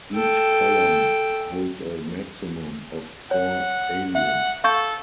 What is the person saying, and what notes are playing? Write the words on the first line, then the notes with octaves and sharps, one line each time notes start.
Each column holds a maximum of four aliens.
A4 G5
C#5 F#5
E5 F#5
A4 F5 C#6 G6